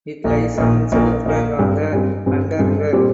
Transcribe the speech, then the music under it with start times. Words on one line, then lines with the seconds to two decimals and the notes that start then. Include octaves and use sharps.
It lies on the south bank of the Hunter River.
0.24 A#1 A#2 A#3
0.58 A#1 A#2 A#3
0.92 A#1 A#2 A#3
1.25 A#1 A#2 A#3
1.59 G2 G3 C4
1.93 G2 G3 C4
2.26 G2 G3 C4
2.59 G2 G3 C4
2.93 A#2 G3 C4 G4 C5